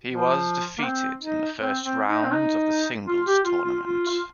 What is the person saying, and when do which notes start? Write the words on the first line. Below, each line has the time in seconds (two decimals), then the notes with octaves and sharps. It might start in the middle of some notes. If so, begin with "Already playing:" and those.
He was defeated in the first round of the singles tournament.
0.10 F3
0.78 A#3
0.84 C4
1.21 D#4
1.59 C4
1.83 C4
2.08 D#4
2.24 C4
2.32 D#4
3.08 F4
3.26 G4
3.45 F4
3.64 F4
3.82 F4
4.08 F4